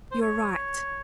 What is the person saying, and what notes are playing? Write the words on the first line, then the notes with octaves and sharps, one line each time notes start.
You're right!
C5
C#5